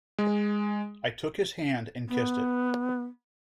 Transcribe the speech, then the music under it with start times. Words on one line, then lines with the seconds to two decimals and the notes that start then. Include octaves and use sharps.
I took his hand and kissed it.
0.19 G#3
2.09 B3